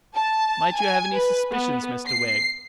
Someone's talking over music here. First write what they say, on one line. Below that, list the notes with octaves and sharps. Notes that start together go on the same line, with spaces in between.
'Might you have any suspicions, Mr Wegg?'
A5
G#5
B4
B3
C7